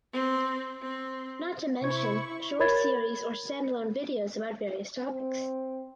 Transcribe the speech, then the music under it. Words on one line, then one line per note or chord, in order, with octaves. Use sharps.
Not to mention short series or standalone videos about various topics.
C4
C4
C3 E4 C5 C#6 G#6
A#4 C#5 B5 G#6 A6
C4